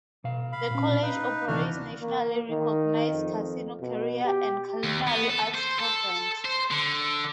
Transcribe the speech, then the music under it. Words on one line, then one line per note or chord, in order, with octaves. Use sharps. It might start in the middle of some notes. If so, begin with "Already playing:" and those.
The college operates nationally recognized casino career and culinary arts programs.
B2 F5
F5 B5
A#2 C#4
D#4 B4 F5
D2 C3 E3 D4 F#4 F6
A#3
D#3
F2
B2
G4
D#2
B3
A4
C5
A4
C5
D3